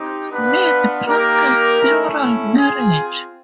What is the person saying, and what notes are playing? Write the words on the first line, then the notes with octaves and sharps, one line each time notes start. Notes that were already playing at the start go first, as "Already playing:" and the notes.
Smith practiced plural marriage.
Already playing: C4 D#4 G4
B3 D4 F4 B4
A#3 D#4 G4 A#4
A3 C#4 E4
C4 F4 G#4